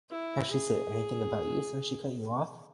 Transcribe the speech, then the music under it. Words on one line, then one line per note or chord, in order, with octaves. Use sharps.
Has she said anything about you since she cut you off?
E4
G#4